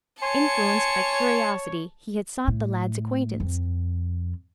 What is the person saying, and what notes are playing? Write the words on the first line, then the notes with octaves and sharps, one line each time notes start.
Influenced by curiosity he had sought the lad's acquaintance.
C#5 G#5 A5 C6 C#7
A2
F2